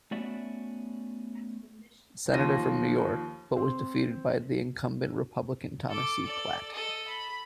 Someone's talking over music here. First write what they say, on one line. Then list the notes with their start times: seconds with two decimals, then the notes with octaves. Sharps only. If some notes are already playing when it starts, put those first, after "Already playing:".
Senator from New York, but was defeated by the incumbent Republican Thomas C. Platt.
0.11 A3 B3 C#4 F#4 D5 E5
2.32 D#2 F3 A#6 D#7
3.56 C4
5.89 A4 D6
6.23 A4 D5
6.72 A4 D#5
7.08 B5